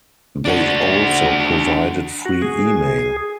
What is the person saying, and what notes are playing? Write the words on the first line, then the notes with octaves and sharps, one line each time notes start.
They also provided free email.
D4 F#4
F#4
G#4